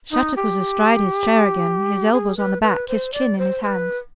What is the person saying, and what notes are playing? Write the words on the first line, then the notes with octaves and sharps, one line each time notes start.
Shattuck was astride his chair again, his elbows on the back, his chin in his hands.
D#4
G4
G#4
B4
B4
C5
D5
C5
C5
B4